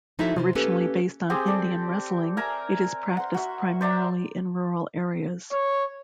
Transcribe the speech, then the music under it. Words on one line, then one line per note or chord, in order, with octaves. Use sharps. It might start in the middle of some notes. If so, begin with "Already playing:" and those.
Originally based on Indian wrestling, it is practiced primarily in rural areas.
F3 D#4 E4 F#4 A4 E5
C3 F4 C5
A#3 C#4 G4 A4 B4
C4 G4 G#4 C6
A4 D5
A#4 E5 G#5 A#5
C5 F#5
F#4 E5
C5 D5 E5 A#5
C#5